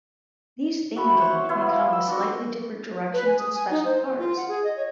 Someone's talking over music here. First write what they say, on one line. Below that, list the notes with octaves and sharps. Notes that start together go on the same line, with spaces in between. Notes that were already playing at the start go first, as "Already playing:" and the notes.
These theme games may come with slightly different directions and special cards.
F#4 E5 B5
C5 C#5 F#5
B3 E4 E5 C6
F3 F4
E6
D4 F#4
B4
G#5
D#6
G#5
D#4
C5
C5
F4
F#5
G#4
D#5
C#5